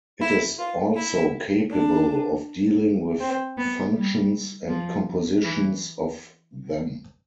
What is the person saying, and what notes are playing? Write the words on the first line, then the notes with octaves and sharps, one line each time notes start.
It is also capable of dealing with functions and compositions of them.
E4
F4
E4
D4
C4
B3
G3
F3
E3